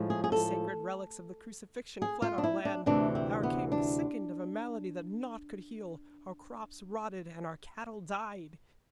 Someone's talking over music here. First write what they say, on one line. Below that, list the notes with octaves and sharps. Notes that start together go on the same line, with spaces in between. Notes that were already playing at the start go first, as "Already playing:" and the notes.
The sacred relics of the Crucifixion fled our land, our king sickened of a malady that naught could heal, our crops rotted, and our cattle died.
Already playing: A2 F3 G#3
G#4
G#4
A4
G#4
F4
D4
E4
D4
D2 C3 E3 D4
C4
B3
D4